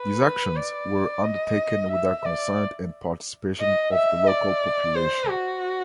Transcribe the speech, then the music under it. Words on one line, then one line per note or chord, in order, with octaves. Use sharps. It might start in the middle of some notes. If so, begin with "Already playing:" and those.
These actions were undertaken without consent and participation of the local population.
Already playing: B4
D5
D#5
E5
D5
D#5
E5
D5
C5
F#4